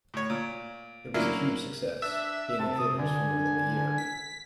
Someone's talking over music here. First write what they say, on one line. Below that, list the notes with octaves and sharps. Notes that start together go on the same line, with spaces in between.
It was a huge success, being in theaters for more than a year.
A2 C#5
A#2
F#3 A#3 C#4 D4 E4 F4
D4 E5
C3 A5
D#6
D3 G#5
B6